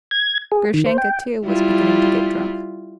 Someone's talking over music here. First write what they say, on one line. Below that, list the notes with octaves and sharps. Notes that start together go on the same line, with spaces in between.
Grushenka, too, was beginning to get drunk.
G#6
G#4
D#3
C5
G5
G3 E4 F4